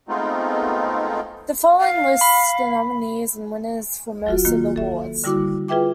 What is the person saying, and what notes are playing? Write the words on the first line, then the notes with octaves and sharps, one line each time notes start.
The following lists the nominees and winners for most of the awards.
G#3 A3 B3 C4 D#4 F4
F5
B5
F#3 F4 F#4
D#3 A#3 F4
A4 E5
D3 G3 E4 F#4 D6
F4 G#4 B4 E5 G5 D6